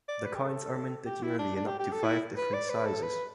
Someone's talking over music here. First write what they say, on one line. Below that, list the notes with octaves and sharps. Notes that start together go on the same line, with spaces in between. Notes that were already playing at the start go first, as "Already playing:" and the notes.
The coins are minted yearly in up to five different sizes.
D5
B4
G4
A4
G4
E4
D4
D4
G4
G4
A4
E4
B4
D5
B4
A4
B4